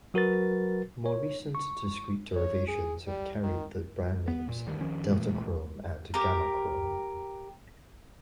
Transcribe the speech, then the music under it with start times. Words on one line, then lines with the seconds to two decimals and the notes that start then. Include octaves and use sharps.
More recent discrete derivations have carried the brand names DeltaChrome and GammaChrome.
0.14 F#3 F#4 A#4 B4 A6
1.06 C#5
1.55 C#6
2.36 C#5
2.68 G#4
3.07 G3
3.43 D#3
4.28 B3
4.49 A#2
4.67 D2 G2 D#3
4.81 D#3 F3 C#4
5.10 A#2 E3 A3
6.14 G4 A#4